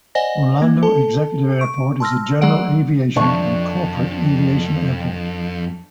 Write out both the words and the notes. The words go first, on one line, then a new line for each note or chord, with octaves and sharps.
Orlando Executive Airport is a general aviation and corporate aviation airport.
C5 D5 D#5 F#5 G#5 A#6
A#3
A4 A5
C#6 D7
A5 C6 E6 F6 A#6
F#3 G#3 G#4 D5 F#5 D7
C2 F2 D4 C#6